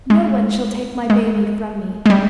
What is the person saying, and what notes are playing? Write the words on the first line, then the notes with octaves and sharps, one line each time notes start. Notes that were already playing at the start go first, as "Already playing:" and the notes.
No one shall take my baby from me.'
G#3
G#3
G#3
G3